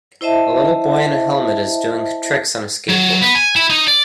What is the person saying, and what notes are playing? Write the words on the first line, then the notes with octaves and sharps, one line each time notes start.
A little boy in a helmet is doing tricks on a skateboard.
E4 C5 D#5 E5 A5
F#3
B3
G#5
E4
D#4
D5